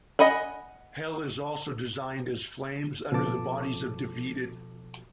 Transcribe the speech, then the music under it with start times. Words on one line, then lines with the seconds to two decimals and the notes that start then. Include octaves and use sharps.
Hell is also designed as flames under the bodies of defeated.
0.19 D#5 F#5 G#5 B5
3.12 B2 F3 A4 A5 D6